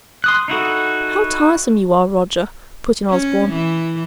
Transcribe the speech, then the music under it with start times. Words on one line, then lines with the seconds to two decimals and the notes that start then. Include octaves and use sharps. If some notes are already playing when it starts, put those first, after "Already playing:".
"How tiresome you are, Roger!" put in Osborne.
0.24 C6 D#6 F#6
0.48 D#4 E4 F#4 A4
3.09 C#4
3.48 E3